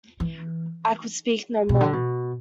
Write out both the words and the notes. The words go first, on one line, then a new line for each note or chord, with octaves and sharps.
I could speak no more.
E3
B2
D3
B2